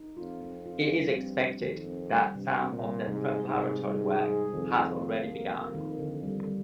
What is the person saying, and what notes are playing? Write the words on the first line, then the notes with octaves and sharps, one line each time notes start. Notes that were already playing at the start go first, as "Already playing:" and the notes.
It is expected that some of the preparatory work has already begun.
Already playing: D#4
F2 F4
C4
F4
G2 F3
C4
C4
F2 D#3
C4
G3
G2 C3
C4
A#2
G3
G#2 C3
G#4
G#2
C3
G#2 G3
G#4
G#4
F2 D#3
F4
A#3
F2 A#3
A#3
D#3
D3
G3
G3